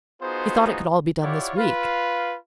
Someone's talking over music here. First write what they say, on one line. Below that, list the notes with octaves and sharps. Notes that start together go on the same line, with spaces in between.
He thought it could all be done this week.
B3 D#4 F4 F#4 G#4 C5
E4 F4 G4 C#5 D5 F#5
F4 B4 F5